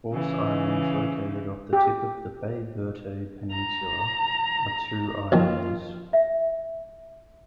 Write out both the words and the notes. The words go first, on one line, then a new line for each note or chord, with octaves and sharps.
Horse Islands located off the tip of the Baie Verte Peninsula, are two islands.
C#3 E3
G4
A#5
A#1 D#3 F4
E5